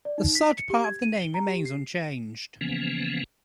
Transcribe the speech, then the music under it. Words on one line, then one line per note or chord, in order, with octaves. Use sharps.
The Sod part of the name remains unchanged.
D5
D#4
B6
C#7
G4
G#6
D#7
G7
A#5
G4
C7
C#3 E3 F3 A#3 B3 C#4